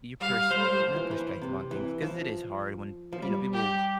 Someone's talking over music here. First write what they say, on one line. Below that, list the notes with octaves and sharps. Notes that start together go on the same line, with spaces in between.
your pers not perspective on things, 'cause it is hard when, you know, people
G3 F5
G3 C5
A3
G3
F3
E3
E3
C3
E3
F3
F3
G3
G4